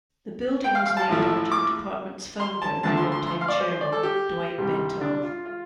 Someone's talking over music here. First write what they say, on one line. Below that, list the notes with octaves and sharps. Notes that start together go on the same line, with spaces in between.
The building was named after the department's founder and long time chairman, Dwight Bentel.
G5
F5
F5
A5
A1 A2 F3 A3
D6
C6
A5
D2 D3 F3 A3 A5
C6
C6
C6
F5
D5
C5
C5
D5
A4
G4
C2 C3 G3
D4
F4
F4